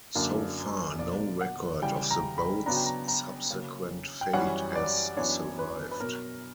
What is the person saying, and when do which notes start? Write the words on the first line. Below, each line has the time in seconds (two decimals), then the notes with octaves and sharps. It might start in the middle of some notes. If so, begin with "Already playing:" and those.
So far no record of the boat's subsequent fate has survived.
0.15 F#2 D3 A#3 D4
0.99 B2 F#3 A#3 D4 D5
1.41 F#5
1.82 C#3 E3 G3 G5
2.11 A#5
2.38 B5
2.66 C#3 F#3 B3 D4 A#5
2.77 G5
2.86 A#5
3.08 A#5
3.50 C#3 F#3 A#3 C#4
4.21 G5
4.33 F#2 E3 G3 C#4 F#5
4.75 D5
5.17 F#2 E3 B3 D4 C#5
5.59 B4
5.91 B4
6.00 B2 F#3 B3 A#4